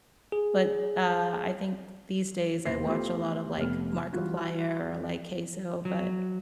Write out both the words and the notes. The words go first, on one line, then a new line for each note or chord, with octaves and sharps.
But, uh, I think these days I watch a lot of, like, Markiplier or, like, CaseOh, but
G#4
E1 D#2 C5 A#6 C7
A3 B3 F4 G4 A4 C5
F1 A3 B3 F6
E3 G3 F4 F#4
F#3